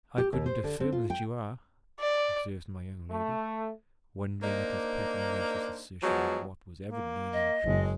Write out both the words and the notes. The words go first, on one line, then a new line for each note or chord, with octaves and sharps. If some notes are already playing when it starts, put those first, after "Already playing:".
I couldn't affirm that you are,' observed my young lady, wondering at his pertinacious assertion of what was evidently an untruth.
G4
D#2
C5
D3
C4
F4
G5
D5
A3
A#3 D4 D#4 C5
F3 F#3 G#3 B3
A#3
D#5
F#1 G#3